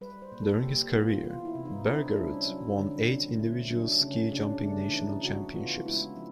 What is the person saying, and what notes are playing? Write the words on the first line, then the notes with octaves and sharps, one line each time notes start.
During his career, Bergerud won eight individual ski jumping national championships.
G3 B4
C5
A#2
A4
A#2 G4
B3 F4
E3 F4
E4
C3
D#4
C4 E4
D4
G3 E4
C#4
F#3
D3
C4
A3
F#3 D4
C#3 C#4
C#3 D4
A3 D4
E3 D#4
C#3 F#4
B3 F4
G#3 E4
F3